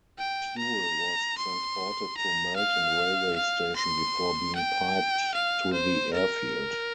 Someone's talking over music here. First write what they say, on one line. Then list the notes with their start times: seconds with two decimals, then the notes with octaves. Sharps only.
Fuel was transported to Melton railway station before being piped to the airfield.
0.19 G5
0.58 A#5
1.38 C6
2.17 A#5
2.56 F5
3.36 F5
3.76 C6
4.55 G5
5.34 F5
5.73 C5
6.13 A#4